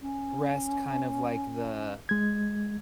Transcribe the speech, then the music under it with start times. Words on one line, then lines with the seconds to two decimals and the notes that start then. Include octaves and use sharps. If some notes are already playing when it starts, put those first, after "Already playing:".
rest, kind of like, the
0.02 C#4
2.09 G#3 G#6